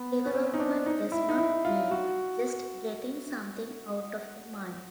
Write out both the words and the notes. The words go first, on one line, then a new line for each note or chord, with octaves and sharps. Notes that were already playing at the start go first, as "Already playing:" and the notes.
Development does not mean just getting something out of the mind.
Already playing: B3
C#4
C4
D#4
D4
D#4
E4
D#4
E4
F4
F#4